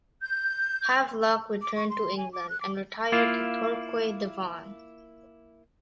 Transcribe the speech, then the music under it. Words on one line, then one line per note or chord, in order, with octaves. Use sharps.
Havelock returned to England, and retired to Torquay, Devon.
G6
D6
C#6
C6
G#5
D6
F#6
D6
A#3 E4 F4